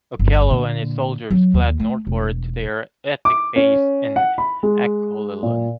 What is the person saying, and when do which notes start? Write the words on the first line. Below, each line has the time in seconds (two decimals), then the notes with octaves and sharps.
Okello and his soldiers fled northward to their ethnic base in Acholiland.
0.19 G1
0.50 A#2 D3
1.31 F#3
1.54 D#2
1.80 A3
2.07 E1
3.25 D6
3.56 C#4
4.16 F#5
4.38 B5
4.63 G#3
5.43 A#2